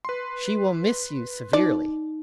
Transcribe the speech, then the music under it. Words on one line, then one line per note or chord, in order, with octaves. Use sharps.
"She will miss you severely."
B4 C6
D#4 D5